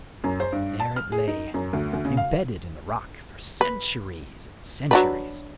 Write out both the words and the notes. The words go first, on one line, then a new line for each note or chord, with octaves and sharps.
There it lay, imbedded in the rock for centuries and centuries.
F#2
C5
G2
A5
F6
G#4
D#4
F#2
D2
D2
C#3
F5
B4
F#3 D4 B4